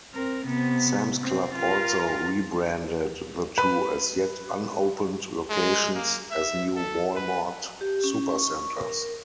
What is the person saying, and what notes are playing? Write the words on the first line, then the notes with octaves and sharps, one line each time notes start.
Sam's Club also rebranded the two as yet unopened locations as new Walmart Supercentres.
C4 A#4
C3 B3
C4
F4 A#4
B4
G#3
A#3
E5
A4
B4
G4
C#4
C#6
A#4